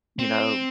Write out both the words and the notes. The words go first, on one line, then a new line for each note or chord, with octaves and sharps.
you know,
C4